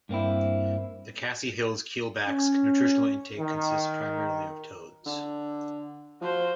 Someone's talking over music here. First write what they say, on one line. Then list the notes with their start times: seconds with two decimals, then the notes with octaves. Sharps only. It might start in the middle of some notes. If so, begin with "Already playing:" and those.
The Khasi Hills keelback's nutritional intake consists primarily of toads.
0.09 G2 A#3 C4 E4
2.26 C#4
3.38 D#3
5.05 D3
6.21 F3 F#4 C5